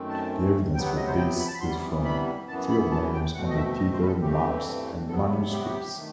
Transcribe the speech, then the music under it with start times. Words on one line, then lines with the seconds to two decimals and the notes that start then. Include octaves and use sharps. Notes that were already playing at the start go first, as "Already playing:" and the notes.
The evidence for this is from field names on tithe maps and manuscripts.
Already playing: F#2 D#3 A3 C4
0.09 A5
0.74 C3 F#3 B3 G5
0.86 F#5
0.96 D#5
1.07 C5
1.17 G5
1.40 B5
1.47 A5
1.54 B5
1.61 C3 E3 G3 B3 C6
2.05 B5
2.48 F#2 E3 B3 A5
2.70 B5
2.91 A5
3.13 G5
3.34 B2 A3 C4 F#5
3.49 D#5
3.57 E5
3.78 D#5
3.93 C5
4.02 B4
4.07 A4
4.22 G2 E3 A3 C4 G4
5.09 C3 F#3 B3 A4
5.31 B4
5.52 G4
5.60 F#4
5.68 G4
5.96 D#3 A3